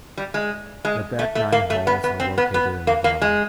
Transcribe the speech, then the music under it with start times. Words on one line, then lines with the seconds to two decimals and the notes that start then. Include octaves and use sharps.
The back nine holes are located in the valley.
0.18 G3
0.34 G#3
0.85 G#3
1.19 A3
1.35 A3
1.52 A#3
1.70 A3
1.87 B3
2.04 B3
2.20 C4
2.38 B3
2.54 B3
2.87 A#3
3.04 A#3
3.22 G#3